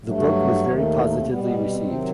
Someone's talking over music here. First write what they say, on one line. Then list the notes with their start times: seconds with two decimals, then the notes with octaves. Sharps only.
The book was very positively received.
0.03 G2 F#3 A3
0.18 F#3 F#4
0.65 D#2 D#3 A3
0.96 E3 E4
1.07 D#3 D#4
1.18 C3 C4
1.28 B2 G3 B3
1.44 B3
1.70 C3 C4
1.80 C3 C4
1.93 D#3 F#3